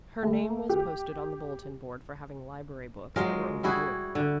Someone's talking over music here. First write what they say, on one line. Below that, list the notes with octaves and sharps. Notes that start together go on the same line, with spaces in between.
Her name was posted on the bulletin-board for having library books that were overdue.
A3
G4
F#3 G#3 F4 A#4
G3 E4 F#4 G#4
D3